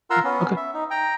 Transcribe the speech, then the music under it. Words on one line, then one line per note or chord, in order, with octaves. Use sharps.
Hm. Okay.
F4 A#4 F#5 A#5 C6 E6
B3 C#4
E5
D#4
G5 A#5